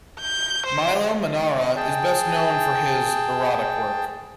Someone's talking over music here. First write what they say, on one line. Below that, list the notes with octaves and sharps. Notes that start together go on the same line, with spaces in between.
Milo Manara is best known for his erotic work.
G6
C5
G#4 G5 A5